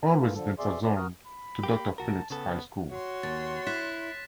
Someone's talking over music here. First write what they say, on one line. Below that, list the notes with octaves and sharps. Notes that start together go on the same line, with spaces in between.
All residents are zoned to Doctor Phillips High School.
B3 B5
E3 A3 A#3 E4 F4
D3 F3 A4
F2 B2 G#4 D5 E5 C6
A3 C4 D5 C6
F#4 A#4 D#6 F6
B5
A#3 G4
C2 F#4 A#4 A5
C#3 B3 A4
F#4 C#5 C6
D#2 A6
E4 F#6 B6 E7